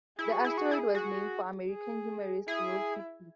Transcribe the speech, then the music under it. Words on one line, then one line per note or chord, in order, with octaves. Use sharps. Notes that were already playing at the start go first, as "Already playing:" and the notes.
The asteroid was named for American humorist Will Cuppy.
E4 G#4
F#4
E4
F#4
E4
F#4
G#4
E4 G#4